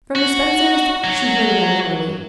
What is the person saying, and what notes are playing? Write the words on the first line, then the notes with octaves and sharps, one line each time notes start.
From the Spencers she heard irregularly.
F#4
F#3